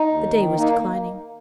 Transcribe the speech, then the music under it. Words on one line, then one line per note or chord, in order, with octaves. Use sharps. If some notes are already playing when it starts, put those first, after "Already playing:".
The day was declining.
Already playing: D#4
D#2
D#3
A#3 D#4